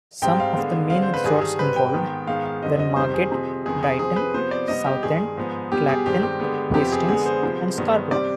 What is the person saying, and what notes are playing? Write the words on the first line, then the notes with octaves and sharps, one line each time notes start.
Some of the main resorts involved were Margate, Brighton, Southend, Clacton, Hastings and Scarborough.
G#2 G3 C4 G5
F5
D3 G#3 B3
D3 G#3 C4 F5
C5
B4
G2 D#3 G3 G#4
G#4
G#2 G3 C4 B4
G5
G#2 D#3 B3
G#2 D#3 G#3 B3 F5
F5
F2 D3 G3 C4 D#5
D#5
F2 C3 D#3 G3 C5
G#4
F2 C3 F3
F2 D#3 B3 G#4
G#4
C3 F3 C4 G#4
B4
C3 F3 B3 C5
D5
C3 G3 B3 D#5
G4
G2 D#3 G#3 G#4
G#2 F3 B3
B2 G3 B3 G4
G#4
G2 D#3 G#3 C4 G4
G4
D3 G#3 B3
F2 C3 F3 B3 G4
G#4
D3 G#3 B3 G#4
C5
C3 F3 G#3 B3
G2 D#3 G#3 B3
C3 G3 C4 D5